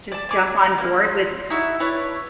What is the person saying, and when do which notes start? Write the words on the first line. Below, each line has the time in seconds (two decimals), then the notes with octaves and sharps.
just jump on board with
0.12 D5 A5
0.29 G#5 D6
0.78 A#3 F6
1.05 C6
1.50 D#4 E4 F#4 E5
1.80 D4 E4 B4 C#5